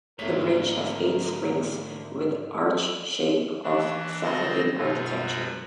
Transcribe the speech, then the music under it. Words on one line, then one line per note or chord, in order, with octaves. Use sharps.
This bridge has eight springs with arch shape of Safavid architecture.
D2 G#2 A3 A#3 A#4 C#5 B6
E3 D4
C#3 C4 F#4 D#5 A6 A#6
F#2 B2 F#3 F4